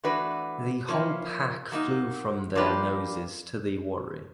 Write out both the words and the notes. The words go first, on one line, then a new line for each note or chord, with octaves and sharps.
The whole pack flew from their noses to the worry.
E3 A3 D4 F#4 B4
F3 A#3 C#4 E4
F#3 A#3 D#4
F3 A#3 D4 G4 B4